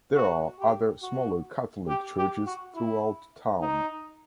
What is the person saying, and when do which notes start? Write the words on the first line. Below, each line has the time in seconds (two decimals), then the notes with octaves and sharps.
There are other smaller Catholic churches throughout town.
0.16 F#4
0.59 G4
1.03 F#4
1.88 G4
2.18 G4
2.46 F#4
2.75 E4
3.61 D#4